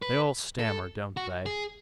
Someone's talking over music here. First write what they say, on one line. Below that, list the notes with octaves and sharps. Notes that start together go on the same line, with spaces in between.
"They all stammer, don't they?"
B4
A4
F#4
G#4